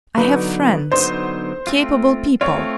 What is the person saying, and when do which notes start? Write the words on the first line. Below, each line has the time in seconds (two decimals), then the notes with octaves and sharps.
I have friends... capable people....
0.17 D3 F#3 B3 D#4 B4
0.92 D3 F#3 B3 D#4 C5
1.67 A3 C4 F4
2.41 A3 C4 F4 C#5